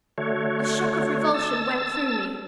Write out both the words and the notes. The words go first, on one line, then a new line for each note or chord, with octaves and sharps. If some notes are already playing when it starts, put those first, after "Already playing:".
A shock of revulsion went through me.
D3 A3 F#4 C#5
A5 E6 A6